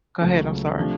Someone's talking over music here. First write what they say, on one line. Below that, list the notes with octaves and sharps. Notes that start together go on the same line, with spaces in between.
go ahead, I'm sorry.
C#2 C#3 F#3 A3 C#4
C3 F3 A3 D4